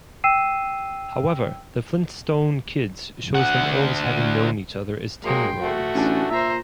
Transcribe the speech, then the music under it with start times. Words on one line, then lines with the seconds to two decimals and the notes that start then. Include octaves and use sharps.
However, "The Flintstone Kids" shows them all as having known each other as ten-year-olds.
0.24 G5 E6 C7 D#7 E7
3.35 D2 F#5
5.24 F#3 G#3 A#3 G5 C6
5.60 A3 F#4
5.95 A1 D4 G#5
6.30 A#2 C5 E5 A#5 E6